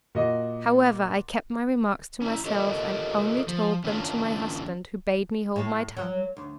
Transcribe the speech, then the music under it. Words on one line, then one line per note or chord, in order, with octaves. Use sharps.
However, I kept my remarks to myself, and only told them to my husband, who bade me hold my tongue.
A#2 F#4 D#5
C#4 E4
F4 G4 A4 A#4 C#5 D#5
F3
E3 C#4 D4 F4
A2
F#3
D2